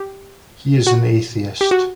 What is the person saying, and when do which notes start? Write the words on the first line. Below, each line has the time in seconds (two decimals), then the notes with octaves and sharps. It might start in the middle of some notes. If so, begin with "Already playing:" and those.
He is an atheist.
Already playing: G4
0.87 F#4
1.61 G4
1.71 F#4